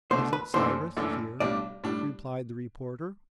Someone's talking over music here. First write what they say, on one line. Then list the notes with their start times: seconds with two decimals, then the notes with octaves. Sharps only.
"Isn't Cyrus here?" replied the reporter.
0.10 C2 B2 A3 D4 C5
0.33 B4
0.54 F#1 F#2 E3 A3 D4 C5
0.97 F#1 F#2 E3 A3 D4
1.40 B1 A2 G3 D4 D5
1.84 A2 G3 D4